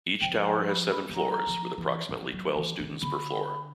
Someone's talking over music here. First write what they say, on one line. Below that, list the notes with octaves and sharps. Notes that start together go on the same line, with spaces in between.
Each tower has seven floors with approximately twelve students per floor.
F3 G5
G5
B5
B5
G3
F#3 A#5
F3
E3
F3
F#3
E3
D#3
D3 B5